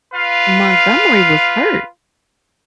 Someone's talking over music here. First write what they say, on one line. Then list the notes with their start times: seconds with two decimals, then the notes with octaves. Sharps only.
Montgomery was hurt,
0.13 F4 B4 F5